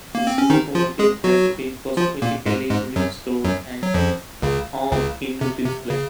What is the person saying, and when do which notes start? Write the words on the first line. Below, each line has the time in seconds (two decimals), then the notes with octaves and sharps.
This locomotive has been cosmetically restored, and is on indoor display.
0.15 A#3
0.27 C4
0.38 C#4
0.50 D#3 D#4
0.75 F3 F4
0.99 G#3 G#4
1.24 F#3 F#4
1.97 F3 F4
2.22 A#2 A#3
2.46 G#2 G#3
2.71 G#2 G#3
2.96 F#2 F#3
3.44 F#2 F#3
3.83 F#3
3.94 F2 F3
4.42 C#2 C#3
4.92 C#2 C#3
5.41 C3
5.65 C3
5.90 C#3